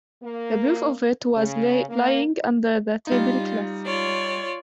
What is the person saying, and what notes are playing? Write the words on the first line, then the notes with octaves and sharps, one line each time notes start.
The proof of it was lying under the table-cloth.
A#3
C#3
A#3
G3 D#4 F4
F4 C#5 D5